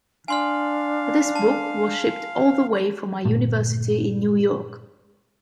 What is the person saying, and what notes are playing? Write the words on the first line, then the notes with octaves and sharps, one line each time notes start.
This book was shipped all the way from my university in New York.
D4 F5 G#5 C6 F6
A5
G1 A#2 A3